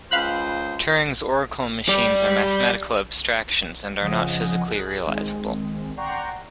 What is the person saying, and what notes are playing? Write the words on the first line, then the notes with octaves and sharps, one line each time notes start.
Turing's oracle machines are mathematical abstractions, and are not physically realizable.
C#2 C5 F5 B5 F#6
G3 D5
F2 C#3 F3 D#5 F#5 G#5
G#4 F#6
D#3 G#3 C4
D5 F#5 G5 A#5 C6 C#6